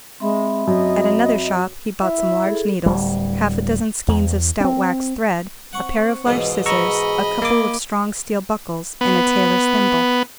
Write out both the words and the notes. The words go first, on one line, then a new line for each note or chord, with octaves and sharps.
At another shop he bought some large needles, half-a-dozen skeins of stout waxed thread, a pair of large scissors, a couple of strong steel buckles, and a tailor's thimble.
G#3 C4 E5 B5
F#2 D#5
E4 E5
G#4 A4
D1 G3
E2
C4 C#4
C4 F#5 C#6
C#2 G#2 B2 E3
G#4 D#5 A#5 B5 C#6 E6
A#3 G#5 D6
B3